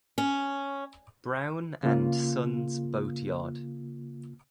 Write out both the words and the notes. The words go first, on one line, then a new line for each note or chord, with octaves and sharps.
Brown and Sons boatyard.
C#4
C#3 A#3 F4